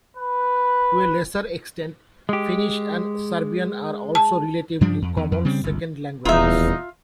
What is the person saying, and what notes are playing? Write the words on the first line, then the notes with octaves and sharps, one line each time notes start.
To a lesser extent, Finnish and Serbian are also relatively common second languages.
B4
G#3 G4
A5
G2 F3 G3 D4
F2
E2
F2
C#3 G3 C4
G1 C#2
D#1 E2 D#4 F4 E5